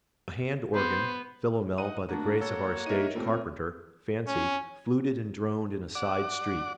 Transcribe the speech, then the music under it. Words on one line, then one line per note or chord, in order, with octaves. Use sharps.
A hand organ--Philomel by the grace of our stage carpenter, Fancy--fluted and droned in a side street.
B3 C5
D#4 D#5 F#5 D#7
D2 A#3 D4 F#4
A4 C#5
D#4 A#4 D#5 E5 D#7
A#2 A3 C4
C#4
D5 F#5 D6